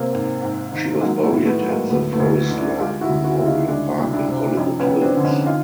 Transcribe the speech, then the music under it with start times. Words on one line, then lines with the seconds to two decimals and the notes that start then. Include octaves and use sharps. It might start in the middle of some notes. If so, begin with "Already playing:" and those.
She was buried at the Forest Lawn Memorial Park in Hollywood Hills.
Already playing: C3 A#3 C4
0.13 G#2
0.42 G#2
0.72 D#3
1.01 F#3 G#3 A#3
1.23 A3
1.31 A2
1.45 A3 B3
1.60 F#3
1.69 G#3 A#3
1.90 D2 A3 B3
2.12 A3 B3
2.19 D2
2.50 D3 D#4
2.57 D4 E4
2.79 G#3 F4 G4
3.01 E4 F#4
3.09 D2
3.24 E4 F#4
3.38 C#3 E4
3.46 D#4 F4
3.68 G#3 D4 E4
3.98 C2
4.13 D4 E4
4.28 C3
4.57 F2 C#4 D#4
4.80 B3 C#4
4.87 F2
5.02 C4 D4
5.17 D3
5.23 C#4 D#4
5.46 D#4 F4